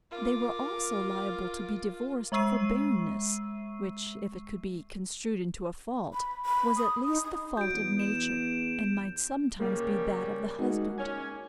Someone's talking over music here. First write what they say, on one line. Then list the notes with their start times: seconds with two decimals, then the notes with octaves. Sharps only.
They were also liable to be divorced for barrenness, which, if it could be construed into a fault, was at least the fault of nature, and might sometimes be that of the husband.
0.11 F4 A#4 D6
2.32 G#3 E5 C#6 E6 C7 D#7
6.13 B5
6.46 B5
6.77 D#6
7.07 D#4
7.23 D#6
7.57 F#3 G6 D7
7.74 E2
8.00 E7
9.59 C#3 G3 A#3
10.59 G#3 D#4 F#4
10.98 C#4 G#5